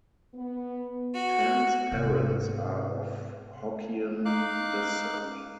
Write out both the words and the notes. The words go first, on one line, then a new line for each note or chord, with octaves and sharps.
Tan's parents are of Hokkien descent.
B3
F#4
G#2 C3
D#4 F5 D6 F#6